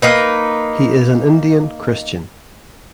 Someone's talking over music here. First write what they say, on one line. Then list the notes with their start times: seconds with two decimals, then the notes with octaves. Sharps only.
He is an Indian Christian.
0.02 A#3 D#4 B4